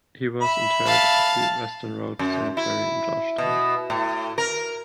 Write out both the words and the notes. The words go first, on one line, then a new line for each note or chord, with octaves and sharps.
He was interred at the Western Road Cemetery in George Town.
E5 B5
F5 A5
F#2
E4
B2
A2
A#4